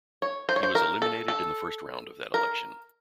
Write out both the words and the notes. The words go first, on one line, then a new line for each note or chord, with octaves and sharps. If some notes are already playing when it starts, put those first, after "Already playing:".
He was eliminated in the first round of that election.
C#5
C5
C#5
C5
A#4
A4
A4
A#4